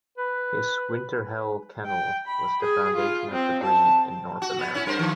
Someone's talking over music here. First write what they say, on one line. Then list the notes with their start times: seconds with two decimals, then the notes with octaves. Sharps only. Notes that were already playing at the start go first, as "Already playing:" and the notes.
His Winterhelle Kennel was the foundation of the breed in North America.
0.18 B4
1.86 G5
2.27 B5
2.61 G#4
2.96 F4
3.32 C4
3.64 A5
4.42 F#4
4.59 B3
4.74 C#4 E4
4.86 G2 A#4 C5
4.99 D#3 F3